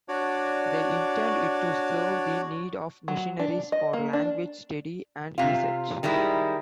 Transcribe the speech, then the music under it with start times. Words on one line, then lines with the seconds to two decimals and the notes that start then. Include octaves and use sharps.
They intended it to serve the need of missionaries for language study and research.
0.09 D4 F#4 C#5 D5
3.08 F#3
3.39 D4
3.72 D#5
3.93 A#3
4.13 D4
5.38 C3 F4
6.03 D#3 G3 G#3 E4